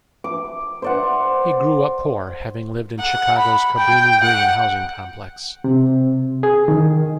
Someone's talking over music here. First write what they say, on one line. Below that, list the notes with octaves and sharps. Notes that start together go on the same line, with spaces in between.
He grew up poor, having lived in Chicago's Cabrini-Green housing complex.
D6
C5 D5 F#5
F#5
B5
G5
F#5
C3
G#4
D#3